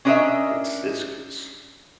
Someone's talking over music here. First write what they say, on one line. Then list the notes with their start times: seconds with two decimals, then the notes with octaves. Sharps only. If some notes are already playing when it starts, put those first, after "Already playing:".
it's it's g it's
0.05 C#4 D4 A#4 C#5 D#5 E5